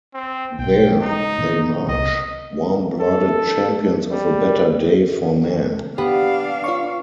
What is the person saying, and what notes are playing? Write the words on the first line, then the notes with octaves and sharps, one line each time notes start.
There they march, warm-blooded champions of a better day for man.
C4
B1 G#2 G5
G#3 D#4
A#2 D#3
C2 D#5
A4
G3
B3 D4 G4 F5
F4 C#5 C#6